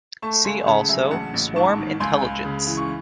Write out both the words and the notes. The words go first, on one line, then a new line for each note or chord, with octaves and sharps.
See also swarm intelligence.
A3 A5 C#6
C#2 G#5 C6
C#3 F#5 A5
F#3 E5 G#5
A1 F#5 A5
A1
G#2 A5 C#6
D#3
C#2 G#5 C6
C#2
C#3
E3
C#6